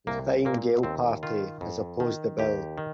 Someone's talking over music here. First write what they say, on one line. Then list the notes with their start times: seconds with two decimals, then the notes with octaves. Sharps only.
The Fine Gael party has opposed the bill.
0.07 C2 A#3
0.45 A#2 A#3
0.83 D#2 C4
1.23 D#3 F4
1.61 F2
2.00 D#3
2.39 D#2 G4
2.78 D#3